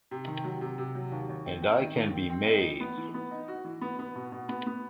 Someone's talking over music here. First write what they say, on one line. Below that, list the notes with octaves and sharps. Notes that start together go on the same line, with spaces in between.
And I can be made!
C3
D#3
F#3
C3
C3
F#3
D#2
D#2
C4
C4
D#3
D#2
C4
C4
D#4
E3
B3
E3
B3
D#4
F#4
E3
B3
B3
B2
B2
B3
B3